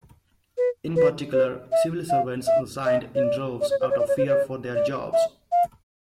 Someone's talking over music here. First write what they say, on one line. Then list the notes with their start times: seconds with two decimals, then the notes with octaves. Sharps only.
In particular, civil servants resigned in droves out of fear for their jobs.
0.58 B4
0.96 B4
1.33 C5
1.72 E5
2.10 F5
2.47 E5
2.85 D#5
3.15 C#5
3.24 D5
3.61 D5
3.70 C#5
3.81 C5
3.90 C#5
3.99 D5
4.08 C#5
4.18 C5
4.28 C#5
4.75 D5
5.13 E5
5.52 F5